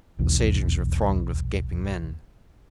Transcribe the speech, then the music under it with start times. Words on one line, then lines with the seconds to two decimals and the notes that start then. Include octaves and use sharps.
The stagings were thronged with gaping men.
0.19 D#1 B1 E2